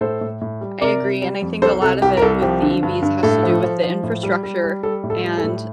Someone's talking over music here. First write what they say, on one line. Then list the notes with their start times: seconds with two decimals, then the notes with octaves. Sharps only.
I agree, and I think a lot of it with the EVs has to do with the infrastructure, and
0.01 A2 A4 C5
0.21 A2
0.41 A2
0.61 G3
0.81 C3 A#4 D5
1.02 C3
1.22 G3
1.42 F2
1.62 C2 A4 C5
1.82 C3 A4
2.02 C2 G4
2.17 A#4
2.22 C2 A4
2.42 F3 G4
2.62 D3
2.83 G2
3.02 G2
3.23 A2 A4
3.43 F3
3.63 F3
3.83 F3
4.03 A2
4.23 G3
4.43 G3
4.64 G3
4.83 G3 A4
5.04 A2
5.10 A4
5.24 G3
5.37 A4
5.44 A2